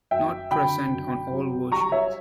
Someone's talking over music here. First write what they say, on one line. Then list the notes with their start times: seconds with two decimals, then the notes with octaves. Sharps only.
Not present on all versions.
0.11 F#2 E5 G5
0.51 D3 G5 B5
0.92 F#2
1.32 F#3
1.72 G3 A#5 C#6
1.92 C#5 E5